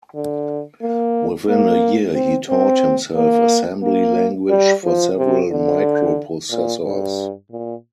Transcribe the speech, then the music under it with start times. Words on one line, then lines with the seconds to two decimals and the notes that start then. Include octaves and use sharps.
Within a year he taught himself assembly language for several microprocessors.
0.15 D3
0.81 A#3
1.49 A#3
2.15 C4
2.49 C4
3.15 A#3
3.82 A#3
4.49 G3
4.83 F3
5.17 C3
5.51 D3
6.50 A#2
6.84 G2
7.51 A#2